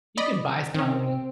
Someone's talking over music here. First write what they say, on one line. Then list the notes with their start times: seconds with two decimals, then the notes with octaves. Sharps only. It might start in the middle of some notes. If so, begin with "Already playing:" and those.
you can buy some
0.17 D5 D#5 B5
0.75 D#3 C4 C#4